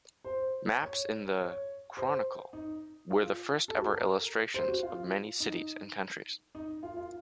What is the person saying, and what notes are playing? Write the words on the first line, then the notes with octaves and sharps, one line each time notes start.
Maps in the "Chronicle" were the first ever illustrations of many cities and countries.
C5
C#5
C#5
C5
D#4
F4
A4
F#4
A4
A#4
C5
F#4
F4
D#4
D#4
F4
F4